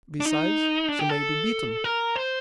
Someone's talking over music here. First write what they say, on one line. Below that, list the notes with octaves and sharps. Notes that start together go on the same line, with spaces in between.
Besides, he may be bitten.
D4
D#4
D4
G4
A4
A#4
C5